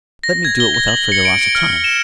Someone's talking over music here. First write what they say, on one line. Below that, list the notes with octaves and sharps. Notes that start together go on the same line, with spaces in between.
Let me do it without further loss of time.
A#6
G#6
G7
A#6
F#7
C#7
D7
D7
F6
E7